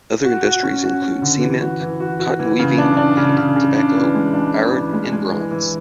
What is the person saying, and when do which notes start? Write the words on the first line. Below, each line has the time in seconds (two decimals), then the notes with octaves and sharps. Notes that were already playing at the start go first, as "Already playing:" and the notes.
Other industries include cement, cotton weaving, and tobacco, iron and bronze.
0.24 F#4
0.44 F#4
0.63 C#4
0.83 F#4
1.02 C#4
1.22 D3
1.41 E3
1.61 F#4
1.81 E3
2.00 F#4
2.19 F#4
2.39 E3
2.59 C#3
2.78 D4
2.97 D4
3.17 C#3
3.37 C#3
3.56 C#3
3.76 D4
3.95 E3
4.14 G#3
4.34 D4
4.54 E3
4.73 D4
4.93 G#3
5.12 G#3
5.32 E3
5.51 E3